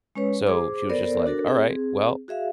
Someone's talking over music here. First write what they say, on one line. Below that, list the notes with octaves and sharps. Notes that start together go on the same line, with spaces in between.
So she was just, like, "Alright, well"
G#3 C#4 B4 C#5
G#4 C5 D6
B3 A4 A#4 C5 D5
D4 F#4 A4 A#4
C4 G#4
F#4 G#4 E5 F5